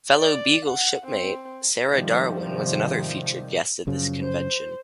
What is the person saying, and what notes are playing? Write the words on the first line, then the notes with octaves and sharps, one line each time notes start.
Fellow "Beagle" shipmate Sarah Darwin was another featured guest at this convention.
D5
F#5
C4
G#2 C3 D#3 F3 G3
F#2 C#3 F3
C5